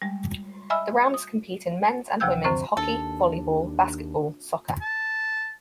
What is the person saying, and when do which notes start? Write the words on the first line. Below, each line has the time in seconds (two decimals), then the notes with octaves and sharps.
The Rams compete in men's and women's hockey, volleyball, basketball, soccer.
0.02 G3 G#3
0.70 D#5 E5 G#5 B5 E6 F6
1.14 D#6
2.20 D2 C3 F3 G5 E6 G6
2.44 F#2 D3 C4 C5 C#6
2.77 D#2 D4 A4
4.81 A5